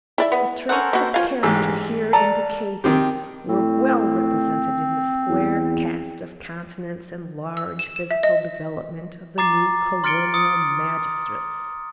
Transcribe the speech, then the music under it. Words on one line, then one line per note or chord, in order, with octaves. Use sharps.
The traits of character here indicated were well represented in the square cast of countenance and large physical development of the new colonial magistrates.
E4 D5 E5
B3
C#4 A4 A#4 C5 F#5
B2 A#3 F#4
F3 F4 C#5 F5 G#5
A1 G#2 G4 E6
A4 D5 A5 A#5
D#3 C4 G4
A2 C4
E2
E6
E7
E7
E5
D#5
A#5 D6 A6 C7
C6 F6 A6 C#7 D7 G7
D#6 C#7